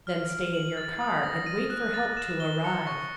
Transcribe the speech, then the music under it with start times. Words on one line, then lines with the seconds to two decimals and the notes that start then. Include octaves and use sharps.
Then stay in your car and wait for help to arrive.
0.07 F6
0.30 D7
0.53 F#7
0.77 A6
1.01 D#6
1.23 A#6
1.46 D#7
1.70 F#6
1.94 A6
2.17 E7
2.40 G7
2.64 C#7
2.87 C#6